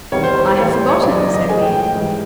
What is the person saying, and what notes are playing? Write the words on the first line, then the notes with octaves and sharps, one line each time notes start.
"I have forgotten," said he.
E2 C3 D#3 G3 C#5
C5
C#5
C5
A2 E3 G3 C#5
C5
C#5
F#2 C#3 F#3 D5
D#5
D#5
A2 F3 G#3 G#5
G5
G5
G5
G#2 E3 G3